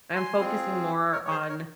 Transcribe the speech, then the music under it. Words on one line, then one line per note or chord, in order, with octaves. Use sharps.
I'm focusing more on
G#5 C6
C4 F4 G#4
A#4 C#5
C#5
G#4 C5
A#4 C#5